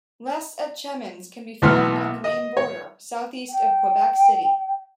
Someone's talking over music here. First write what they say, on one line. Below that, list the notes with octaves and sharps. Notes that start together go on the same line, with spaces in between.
Les Etchemins can be found on the Maine border, southeast of Quebec City.
B1 E3 A3 B3 C6 F6
D#5
C#5
G5